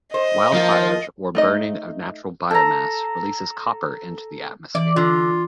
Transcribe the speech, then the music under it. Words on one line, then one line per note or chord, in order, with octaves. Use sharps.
Wildfires or burning of natural biomass releases copper into the atmosphere.
C5 D#5
F3 A#3 F4
A3 D#4 D#5
A4 A#5
E3 D5
D3 F4